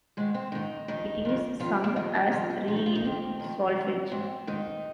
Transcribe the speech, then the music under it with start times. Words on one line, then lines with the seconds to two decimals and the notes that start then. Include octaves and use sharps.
It is sung as re in solfege.
0.17 G#2 D#3 G#3
0.34 C4
0.52 G#2 D#3 D#4
0.88 F2 D#3 D#4
1.25 F2 D#3
1.60 F2 D#3 F4
1.84 A#3
1.96 F2 D#3 D#4
2.32 F2 D#3 F4
2.51 D#4
2.67 F2 D#3 F4
2.76 D#4
2.86 F4
2.95 D#4
3.04 F2 D#3 C4
3.40 F2 D#3
3.76 G#2 D#3
4.11 G#2 D#3 C4
4.47 G#2 D#3 D#4